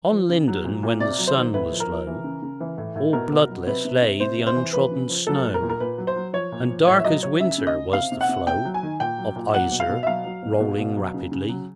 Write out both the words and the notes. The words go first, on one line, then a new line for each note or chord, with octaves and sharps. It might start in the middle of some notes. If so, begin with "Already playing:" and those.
On Linden, when the sun was low, All bloodless lay the untrodden snow; And dark as winter was the flow Of Iser, rolling rapidly.
F3
C#3
F#3
A#2
A#2
C3 D5
F#3
C5
D#3
A2 B4
F3
A#4
F3
E3
C#3
C#3
E3
A2
A2
B2 A#4
B2
F#3
C3 B4
C3
C3
C3 C5
C3
C5
E3
F3 B4
C#3
F3
F#3 A4
A#2
A#4
A#2
A#4
A#2 B4
F#3
C5
F#3
F3 C#5
A#2
F3
A2 C#5
E5
F#3 D#5
F#3 C#5
C#3 E5
C#3
D#5
C#3
C3 F5
C3
F#5
C3
C3 G5
F#3
G#5
D#3
A#2 G5
F#3
A#2
F#3 F#5
B2
F5
B2
E5
F#3 F5
F#3
B2
B2
B2
F#3
C#3
C#3
F#3